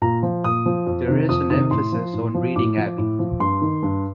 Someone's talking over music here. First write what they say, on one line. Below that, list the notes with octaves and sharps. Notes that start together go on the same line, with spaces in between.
There is an emphasis on Reading Abbey.
A#2 A#5
F3
A#2 D#6
F3
F2
C3 D#3
F2 D#6
C3 D#3 D#6
A2 C6
F3
A2
F3
A2 D6
F3
A2
F3
G2 C6
D#3
G2